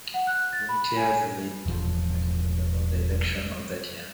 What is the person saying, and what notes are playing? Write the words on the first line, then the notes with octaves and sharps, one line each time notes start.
Linked years lead to articles about the election of that year.
F#5
F#6
A6
B5
G#5
E1 A1 F3